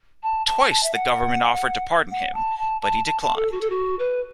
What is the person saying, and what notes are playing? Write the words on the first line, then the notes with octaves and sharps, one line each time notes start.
Twice the government offered to pardon him, but he declined.
A5
A5
A5
E5
F#5
F#5
A5
A5
A5
A5
A5
A4
F#4
A4
F#4
B4